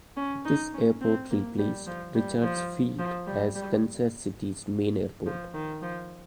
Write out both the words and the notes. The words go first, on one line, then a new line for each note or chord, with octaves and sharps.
This airport replaced Richards Field as Kansas City's main airport.
C#4
D#4
C#4
C4
A#3
G3
F3
G3
F3
F3
G3
G3
F3
D#3
F3